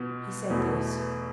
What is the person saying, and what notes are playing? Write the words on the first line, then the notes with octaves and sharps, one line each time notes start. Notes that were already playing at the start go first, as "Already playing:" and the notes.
He said this.
Already playing: B2 B3 F4
E2 B2 A3 E4